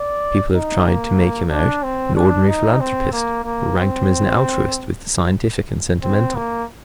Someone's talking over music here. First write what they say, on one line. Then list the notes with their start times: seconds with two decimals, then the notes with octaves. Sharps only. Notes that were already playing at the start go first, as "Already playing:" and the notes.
People have tried to make him out an ordinary philanthropist, or ranked him as an altruist with the scientific and sentimental.
Already playing: D5
0.54 D#4
0.86 A#3
1.51 D4
1.83 C4
2.15 D4
2.48 D#4
2.80 C4
3.12 A#3
3.44 A#3
3.77 C4
6.03 C4
6.35 A#3